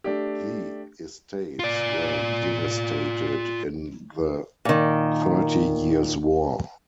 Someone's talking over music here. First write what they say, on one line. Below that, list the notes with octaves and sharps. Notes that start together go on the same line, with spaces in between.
The estates were devastated in the Thirty Years' War.
A3 D4 G4
F4 D5
A#2 D#3